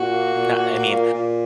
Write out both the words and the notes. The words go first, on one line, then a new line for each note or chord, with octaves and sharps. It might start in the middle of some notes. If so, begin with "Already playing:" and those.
n I mean,
Already playing: A#2 F#4
A#3
A#2
A#3
A#2
A#2